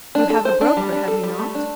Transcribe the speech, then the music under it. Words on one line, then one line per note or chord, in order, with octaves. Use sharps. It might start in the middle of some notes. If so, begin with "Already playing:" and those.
"You have a broker, have you not?"
D4
A4
C5
D4
G3
D4
A4
G3
A3
D4